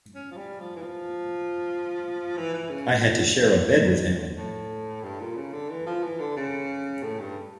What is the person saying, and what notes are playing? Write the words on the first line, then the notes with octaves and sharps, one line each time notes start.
I had to share a bed with him.
C#4
F3
G3
F3
E3
F3
E3
E3
C#3
A2
G2
A#2
C#3
D3
E3
F3
E3
D3
C#3
A2
G2